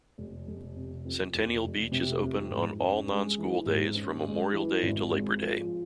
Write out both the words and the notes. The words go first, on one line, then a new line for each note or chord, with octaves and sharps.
Centennial beach is Open on all non-school days from Memorial Day to Labor Day.
F1
F1
C3
F2
F1
F1
C3
F2
G#2
C#4
G#3
E3
G#2
C#4
G#3
E3
G#1
G#3
F3